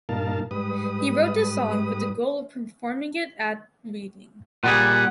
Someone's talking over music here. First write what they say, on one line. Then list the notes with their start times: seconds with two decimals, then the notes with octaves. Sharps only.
He wrote the song with the goal of performing it at Reading.
0.09 G2 A#2 D#4 A#4 F5 A5
0.51 G#2 G3 B4 D#6
4.64 A#2 G3 G#4 F#5